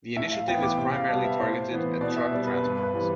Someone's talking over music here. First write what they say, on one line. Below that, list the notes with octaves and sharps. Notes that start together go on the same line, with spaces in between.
The initiative is primarily targeted at truck transport.
A2 E5
F5
E3 B3 G5
D6
C3 D6
F5
G3 B3 A5
E5
A2 C5
E3 B3
B2 D5
E5
G3 B3 D5
B4
G2 B4
B4
E3 G3 C4